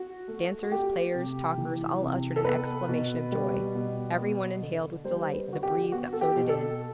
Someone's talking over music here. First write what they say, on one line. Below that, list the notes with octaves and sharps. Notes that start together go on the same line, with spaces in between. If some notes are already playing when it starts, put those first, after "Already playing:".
Dancers, players, talkers, all uttered an exclamation of joy--every one inhaled with delight the breeze that floated in.
Already playing: F#4
A3
F#4
A3 G4
C3
E3
C3
A4
B3 B4
B2
G3
B2
B3
D3
G3 C5
B4
D3 F#4
G4
B3 F#4
A4
G4
B2
A4